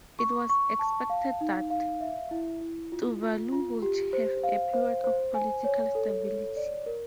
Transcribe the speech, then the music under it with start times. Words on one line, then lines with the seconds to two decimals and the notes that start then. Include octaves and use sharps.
It was expected that Tuvalu would have a period of political stability.
0.19 C#6
0.50 C#6
0.79 A5
1.10 F5
1.41 D#4
1.70 F5
2.01 E5
2.31 E4
2.61 E4
2.92 F4
3.22 F4
3.53 F4
3.82 G4
4.13 C5
4.43 F5
4.74 C5
5.04 C5
5.34 G#5
5.64 C#5
5.95 A4
6.25 C#5
6.56 D5
6.86 A#4